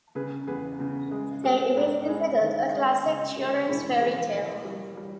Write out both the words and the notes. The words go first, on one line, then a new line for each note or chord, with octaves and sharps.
Today it is considered a classic children's fairy tale.
C#3 G#4 B4
E2 G#4 B4
C#3
G#3
G#3 G4 A#4
G#2 G#4 B4
G#3 E4 G#4
D#3
G#3
C#3
G#3 G4 A#4
E1 E4 G#4
E3 G#4 B4
E3 A#4 C#5
G3
G3